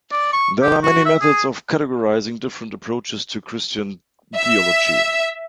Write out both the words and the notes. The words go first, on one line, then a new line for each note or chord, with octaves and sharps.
There are many methods of categorizing different approaches to Christian theology.
D5
C#6
G4
F#4
E5
G#4
E5